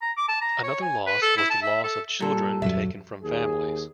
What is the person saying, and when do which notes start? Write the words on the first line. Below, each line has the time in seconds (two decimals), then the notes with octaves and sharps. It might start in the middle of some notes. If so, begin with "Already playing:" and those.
Another loss was the loss of children taken from families.
0.02 A#5
0.17 D6
0.28 A5
0.41 A#5
0.63 C#5
0.82 G#5
1.06 B4
1.22 A4
1.37 E4
1.50 A5
1.62 E5
1.83 A4
2.20 A#2 G3 A4
2.62 D#1 F#2 F#3 E5
3.23 D#2 G#4